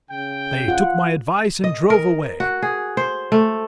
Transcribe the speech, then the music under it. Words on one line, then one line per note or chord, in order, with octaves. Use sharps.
They took my advice and drove away.
C#3 G5
F4 F#5
D#5
A#4
F#4
G#4
C5
A3